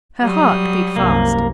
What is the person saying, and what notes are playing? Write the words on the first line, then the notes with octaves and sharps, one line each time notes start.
Her heart beat fast.
F#3 G3 D#6
C2 F#2 A#3